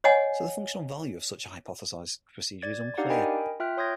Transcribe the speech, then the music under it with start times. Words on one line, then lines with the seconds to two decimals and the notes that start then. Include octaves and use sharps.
So the functional value of such a hypothesized procedure is unclear.
0.04 C#5 D#5 F#5 G#5
2.62 D5 G#6 A6
2.97 D4 D#4 G4 D5 F5 F#5
3.10 A#4 D#5 G5 G#5 B5
3.60 F4 E5 G5 F6 F#6
3.77 C#5 C6 D#6 G6 G#6 A#6